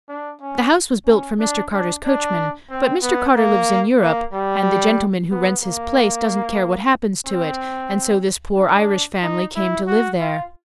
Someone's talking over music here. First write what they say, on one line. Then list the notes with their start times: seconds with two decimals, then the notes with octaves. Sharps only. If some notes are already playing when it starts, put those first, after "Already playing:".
The house was built for Mr. Carter's coachman, but Mr. Carter lives in Europe, and the gentleman who rents his place doesn't care what happens to it, and so this poor Irish family came to live there.
0.08 D4
0.41 C#4
1.06 C#4
1.40 D4
1.72 D4
2.05 D4
2.70 C4
3.02 B3
3.35 A#3
4.00 A#3
4.33 G3
5.31 B3
5.63 A#3
7.26 C4
8.56 D4
9.22 D#4
9.55 E4
9.87 F#4
10.20 F4